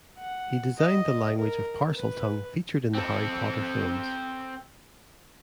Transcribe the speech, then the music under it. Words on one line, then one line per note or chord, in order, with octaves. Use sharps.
He designed the language of Parseltongue featured in the Harry Potter films.
F#5
D#5
A#4
B4
C4 A4